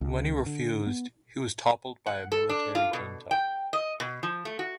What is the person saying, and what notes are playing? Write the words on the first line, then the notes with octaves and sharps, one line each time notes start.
When he refused, he was toppled by a military junta.
C#2
D3
B3
F#5
A4
D4
F4
B2
G5
D#5
B2
F3
A3
F#4